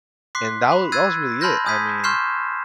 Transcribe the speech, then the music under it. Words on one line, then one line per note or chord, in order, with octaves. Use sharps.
and that wa that was really it, I mean
C6 D6 F#6 B6 C7
B5
E6 F#6 G#6 A6 C7 D#7
A5 B5 C6 F6 G6 A#6
G#5 D#6 G6 G#6 B6 D#7
C6 C#6 F6 G6 C7 E7